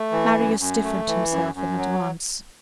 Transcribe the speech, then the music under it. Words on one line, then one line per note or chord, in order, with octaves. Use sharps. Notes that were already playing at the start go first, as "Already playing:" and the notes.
Marius stiffened himself in advance.
Already playing: A3
E3
F#2
F#2
A3
E3
F#2
F#2
F#3